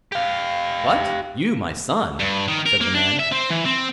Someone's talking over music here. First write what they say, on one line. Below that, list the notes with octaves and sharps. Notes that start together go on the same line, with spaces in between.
'What, you my son!' said the man.
G4 F5
G2
D#3
A#4
A#3
D4
E5
C4
E3
C4